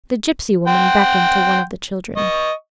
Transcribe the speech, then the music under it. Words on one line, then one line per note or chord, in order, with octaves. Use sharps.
The gipsy woman beckoned to one of the children.
F#5 G5 C6
D#5 C#6